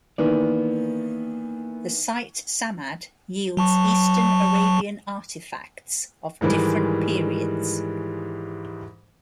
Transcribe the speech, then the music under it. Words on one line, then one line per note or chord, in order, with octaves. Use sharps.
The site Samad yields eastern Arabian artefacts of different periods.
D#3 E3 A#3 B3 D5
F#3 A5 C#6
G#2 D#3 E3 G3 G#3